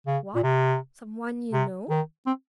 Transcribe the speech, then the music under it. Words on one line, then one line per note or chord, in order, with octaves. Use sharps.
"What! someone you know?"
C#3
A#2
C3
C3
D#3
C4